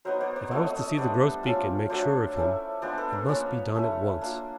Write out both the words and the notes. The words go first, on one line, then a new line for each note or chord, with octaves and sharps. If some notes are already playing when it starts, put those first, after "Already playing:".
If I was to see the grosbeak and make sure of him, it must be done at once.
F#3 B3 D#4 A#4 C5
C5 D5
C5 D5
F3 A3 C4 C#5 D#5
C#5 D#5
C#5 D#5
G3 B3 D4 C5 D5
F3 A3 C#4 F4
F#3 A3 D4 F4 C5 D5
A3 C#4 E4
G#3 B3 D4 F4 C5 D5
A4 B4
A#4 C5
F3 A#3 C#4 B4 C#5
A3 C#4 E4
A#3 D4 F4